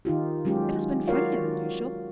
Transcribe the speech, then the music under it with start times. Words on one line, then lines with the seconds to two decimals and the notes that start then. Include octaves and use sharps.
It has been funnier than usual.
0.05 D#3 D#4 F4 G4
0.45 F#3 G#3 C#4 F4 G4
1.08 F4 F#4 A#4 C#5 D5 F5